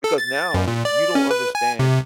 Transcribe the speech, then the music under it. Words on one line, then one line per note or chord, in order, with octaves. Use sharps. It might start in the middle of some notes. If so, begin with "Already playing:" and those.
Because now you don't understand
A4
A6
F#2
A#2
D5
C#4
B4
G#5
C3